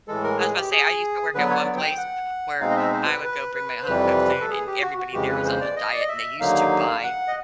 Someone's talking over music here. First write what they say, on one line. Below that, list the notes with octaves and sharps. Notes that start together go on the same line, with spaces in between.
I was about to say, I used to work at one place where I would go bring my home-cooked food, and everybody there was on a diet, and they used to buy,
A2 E3 G#3 A4
A#4
G#4
G4
G#4
D3 F#3 B3 B4
C#5
D5
G5
F#5
B2 G#3 C4 D#4 F5
D#5
E5
C5
B4
B4
B4
C5
F2 C3 E3 G3 B4
A4
G#4
G4
F#4
F#4
F2 C#3 E3 G#3 G4
B4
C5
D5
D#5
D5
D#5
E5
D#2 D3 F#3 A#3 D#4 F5
F#5
D#5